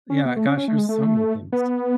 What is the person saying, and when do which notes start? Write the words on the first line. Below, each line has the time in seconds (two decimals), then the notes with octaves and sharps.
yeah gosh, there's so many things.
0.10 C#4
0.26 B3
0.36 A3
0.47 C#4
0.57 C#4
0.68 A3
0.78 G#3
0.89 A3
1.53 B3